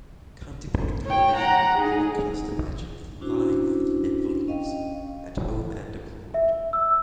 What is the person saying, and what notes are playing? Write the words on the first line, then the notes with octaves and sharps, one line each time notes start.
Kantipur Television broadcast the pageant live for the Nepalese at home and abroad.
C#5 G5
F#5 A#5
D#4 G#4
C#4 D4 E4 F#4 C5
C#4 D#5 F5 G5
E5
E6